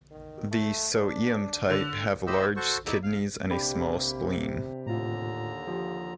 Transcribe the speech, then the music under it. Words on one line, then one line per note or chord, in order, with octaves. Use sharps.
The So-Eum type have large kidneys and a small spleen.
D#3
A3
D4
D3
G4 C5 D#5 B5 E6
F#4 A4 C5 C#6
D#4 E4 D5 E5
F5
C3 A#3 D4 G4 B5
D#2 A2 D3 F4 A#5
F3 G4